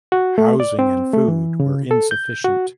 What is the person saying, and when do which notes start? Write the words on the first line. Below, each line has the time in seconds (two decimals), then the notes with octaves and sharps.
Housing and food were insufficient.
0.12 F#4
0.38 A3
0.60 D5
0.79 C4
1.13 A3
1.28 E3
1.60 C#3
1.91 A4
2.11 G6
2.44 F#4